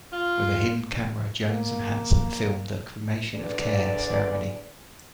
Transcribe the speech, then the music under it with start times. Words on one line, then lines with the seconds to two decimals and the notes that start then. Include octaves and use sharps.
With a hidden camera, Jones and Hanson filmed the "Cremation of Care" ceremony.
0.13 F4
1.50 A#3
3.35 E2 D3 B4 D5